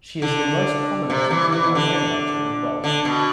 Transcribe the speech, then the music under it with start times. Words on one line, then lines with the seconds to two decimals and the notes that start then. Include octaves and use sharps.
She is the most prominent female hymn-writer in Welsh.
0.22 D3
1.10 C3
1.31 E3
1.52 E3
1.75 D3
2.84 D3
3.05 B2